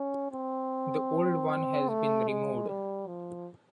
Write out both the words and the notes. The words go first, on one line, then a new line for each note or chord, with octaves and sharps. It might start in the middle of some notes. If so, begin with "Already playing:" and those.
The old one has been removed.
Already playing: C#4
C4
A3
G#3
G3
F3